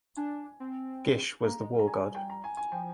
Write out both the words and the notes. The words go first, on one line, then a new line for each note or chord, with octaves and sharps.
Gish was the war-god.
D4 G#5
C4
A#3 A#5
G#3
G3
A#5
G#5
G5
A#5
G#5
G#5
F3 G5